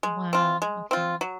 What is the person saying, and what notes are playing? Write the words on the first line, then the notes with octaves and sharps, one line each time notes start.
Wow, okay.
G#3
C4 F4
G#3
C4 F4
F#3